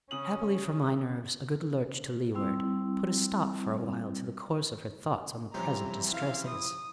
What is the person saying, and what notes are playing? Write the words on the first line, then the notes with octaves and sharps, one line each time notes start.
Happily for my nerves, a good lurch to leeward put a stop for a while to the course of her thoughts on the present distresses.
C#3 C#4 D#6 F#7
G3 C4 E4
C3 E3 F3 G3 C#4 G4 A#5
E4 F5
D#6